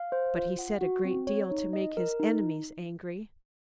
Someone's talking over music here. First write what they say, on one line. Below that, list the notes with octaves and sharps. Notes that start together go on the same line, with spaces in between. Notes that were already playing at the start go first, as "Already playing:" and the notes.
But he said a great deal to make his enemies angry.
Already playing: F5
C5
F4
F#5
F#4
C4
C#5
D#4
D#5
A#4
D#4